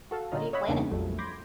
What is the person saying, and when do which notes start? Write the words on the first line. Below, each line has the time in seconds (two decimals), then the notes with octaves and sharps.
what are you planning?
0.11 F#4 A4 F5
0.32 A#2 D3 C#4 F4 D#5 A#5
0.53 C#5 D#5 E5 F#5 B5 E6
0.68 E2 G2 C#3 A#3 D4 D#4
0.91 A#1 F2 F#3 G3 A3
1.19 B5 C6 D6 G6 G#6 A#6